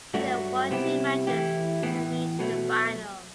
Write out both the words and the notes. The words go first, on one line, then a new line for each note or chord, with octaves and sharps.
He then won two matches to reach the final.
G2 F#3 A3 D4 F#4
C3 G3 B3 E4 G4
E3 A3 E4 G4
A2 E3 B3
B2 F#3 A3